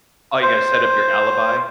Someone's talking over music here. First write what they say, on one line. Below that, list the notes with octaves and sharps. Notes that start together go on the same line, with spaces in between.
Oh, you gotta set up your alibi?
C5